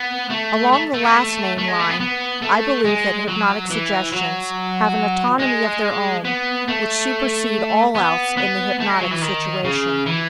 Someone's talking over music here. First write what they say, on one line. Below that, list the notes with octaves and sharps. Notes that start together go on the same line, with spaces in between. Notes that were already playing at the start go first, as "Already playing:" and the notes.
Along the last-named line, I believe that hypnotic suggestions have an autonomy of their own which supersede all else in the hypnotic situation.
Already playing: B3
A3
A3
A3
B3
A3
A3
G#3
A3
B3
B3
A3
G#3
F#3
E3
F#3
G#3
B3
A3
B3
B3
A3
G#3
F#3
E3
D#3
C#3
E3